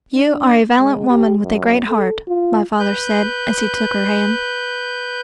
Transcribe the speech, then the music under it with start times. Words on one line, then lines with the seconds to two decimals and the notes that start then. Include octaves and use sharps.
"You are a valiant woman with a great heart," my father said, as he took her hand.
0.14 D4
0.79 G#3
1.10 G4
1.43 F#2
1.89 A4
2.28 F4
2.80 B4 G6